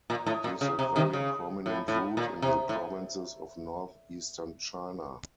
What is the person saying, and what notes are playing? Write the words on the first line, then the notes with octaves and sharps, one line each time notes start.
It is a very prominent route in the provinces of northeastern China.
A#2
A2
A#2
C#3
C3
C3 D#3
C#3
A2
A2
A#2
C3
A2